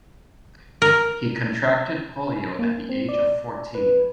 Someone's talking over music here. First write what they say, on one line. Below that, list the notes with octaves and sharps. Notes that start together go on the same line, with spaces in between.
He contracted polio at the age of fourteen.
A#4
A#3
C4
D5
B4